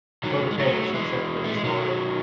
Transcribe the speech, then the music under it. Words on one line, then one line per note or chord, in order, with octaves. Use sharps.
Both paintings have since been destroyed.
D#3 F#3
G#3
F#3 A3
F#3
E3 G#3
A3
G#3
D#3 F#3